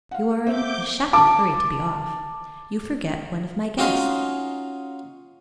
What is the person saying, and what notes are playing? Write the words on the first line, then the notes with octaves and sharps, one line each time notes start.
You are in a shocking hurry to be off--you forget one of my guests.
F5 F#5
C4 E5 D6 G6
A5 D6
C#4 D#4 F4 F#4 G#4